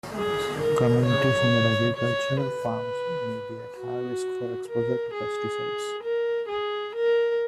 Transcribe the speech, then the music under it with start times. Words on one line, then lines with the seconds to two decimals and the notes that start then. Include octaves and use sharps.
Communities near agricultural farms may be at higher risk for exposure to pesticides.
0.15 G#4
0.61 A#4
1.06 C#5
1.97 C#5
2.42 B4
3.77 F#4
4.68 A#4
5.14 G#4
6.03 A#4
6.49 G#4
6.95 A#4